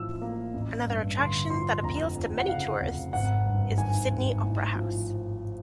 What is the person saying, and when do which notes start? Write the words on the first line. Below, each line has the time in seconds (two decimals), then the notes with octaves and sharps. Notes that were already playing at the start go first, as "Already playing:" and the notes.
Another attraction that appeals to many tourists is the Sydney Opera House.
Already playing: A1 A2 F3 E6
0.22 A#3
0.54 A1
0.86 G2
1.18 D3 C6
1.50 F3 C6
1.83 F1 A#5
2.16 F2
2.39 F#5
2.48 C#3 F5
2.81 F1
3.13 G#1 F#5
3.46 G2
3.77 D#3 G#5
4.10 G#1
4.43 A2
4.75 F3